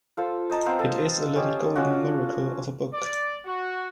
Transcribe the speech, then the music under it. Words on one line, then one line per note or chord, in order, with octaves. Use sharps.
It is a little golden miracle of a book.
F4 A4 C5
C5 D#5 A5 A#5
B3 C4 C5 F5
A4
C#4 G4 C5 D#5
C#4 D4 F4 F#4
D5
F#4